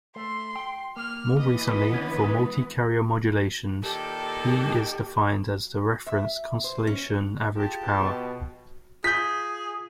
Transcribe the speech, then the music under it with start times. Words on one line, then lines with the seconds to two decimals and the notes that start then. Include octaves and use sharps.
More recently, for multi-carrier modulations, P is defined as the reference constellation average power.
0.16 A3 C6
0.56 G5
0.96 A#3 F6
1.39 E3 B3 B4 D#5
1.91 D#2 D3 C#4
2.24 G#3
3.83 A#2 D#3 G4 A4
6.06 E5
6.64 C5
6.87 C#4
7.56 F4 G4 G#4 G5 A5
8.01 B2
9.04 F4 G#4 G6 B6